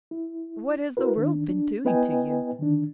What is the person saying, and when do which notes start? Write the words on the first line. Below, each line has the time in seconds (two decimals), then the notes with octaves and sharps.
'What has the world been doing to you?'
0.11 E4
0.97 E4 F#4 A#4 B4
1.17 D#3 D4
1.49 D4
1.85 B3 E4 B4 D#5 G5 G#5
2.59 D3 D#3 D4